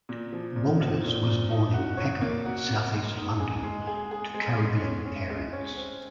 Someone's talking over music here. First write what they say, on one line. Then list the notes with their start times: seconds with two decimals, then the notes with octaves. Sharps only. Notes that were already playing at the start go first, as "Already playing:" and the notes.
Walters was born in Peckham, south-east London, to Caribbean parents.
0.09 A#2
0.33 F3
0.56 A#2
0.80 F3
1.04 A#2
1.27 A#2
1.51 D#4
1.74 F#4
1.97 C#5
2.21 A#3
2.45 F#4
2.69 A#3
2.93 G#3
3.16 D#4
3.40 G#4
3.63 G#3
3.87 G#4
4.11 G#4
4.34 G#3
4.58 G#3
4.82 C#4
5.05 C#4
5.30 G#3
5.53 C#4
5.76 C4